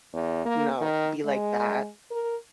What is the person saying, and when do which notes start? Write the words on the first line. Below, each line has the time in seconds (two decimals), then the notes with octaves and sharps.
you know, be like that,
0.14 E2
0.45 A#3
0.81 D#3
1.25 G#3
2.11 A#4